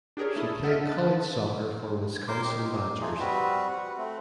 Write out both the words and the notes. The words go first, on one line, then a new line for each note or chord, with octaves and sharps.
She played college soccer for the Wisconsin Badgers.
D4 G4 G#4 A#4 C#5
A3 E4 A5 D#6
D#5 E5 F#5 A5 F6 B6
F#6 A6
A#4 C5 C6 D6
D#4 G4
A3 D#4 F4 G#4
G3 C4 F#4 B4
F#5
A3 C4